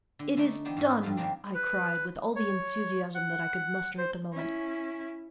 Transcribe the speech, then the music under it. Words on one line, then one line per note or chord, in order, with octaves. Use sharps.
"It is done!" I cried, with all the enthusiasm that I could muster at the moment.
D3
D3 A3 D4 D#4 C#5
E3 A#3 B3 D4 G4 C5
G#2 F#4 D#5
G2 F3 F4 A4 B4
D#3 G3 G#3 A#3 C4 D4
B4
C#5
F#5
C5
C#4 E4